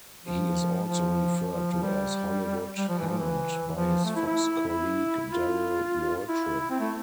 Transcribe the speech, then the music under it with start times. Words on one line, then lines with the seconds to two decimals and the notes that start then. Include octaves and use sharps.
He is also referred to as Hollywood Hammond by his Fox colleague Darrell Waltrip.
0.24 F3
0.87 F3
1.51 F3
1.72 F3
1.82 G3
2.77 G3
2.89 F3
2.99 E3
3.09 F3
3.18 E3
3.73 F3
4.05 A3
4.16 E4
4.26 E4
4.68 E4
5.33 F4
6.29 E4
6.60 E4
6.70 C4
6.80 A3